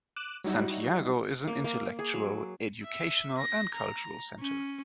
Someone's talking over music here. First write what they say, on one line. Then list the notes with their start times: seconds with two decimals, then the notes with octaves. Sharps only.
Santiago is an intellectual, educational, and cultural center.
0.16 D6 F#6 D#7 E7
0.44 F#3 G3 D#4 E4 F#4
1.47 A#3
1.64 A#3
1.99 G#4
2.14 F#3
2.83 E5
3.38 A#6
3.75 A#5
4.40 C#4